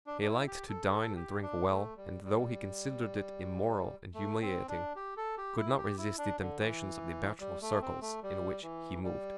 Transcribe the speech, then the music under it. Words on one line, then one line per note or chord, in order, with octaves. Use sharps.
He liked to dine and drink well, and though he considered it immoral and humiliating could not resist the temptations of the bachelor circles in which he moved.
D4
D4
E4
G4
A4
A4
G4
D4
A3
G3
G3
A3
C4
D4
G4
A4
G4
E4
G4
E4
D4
D3
E3
G3
A3
C4
A3
G3
E3
G3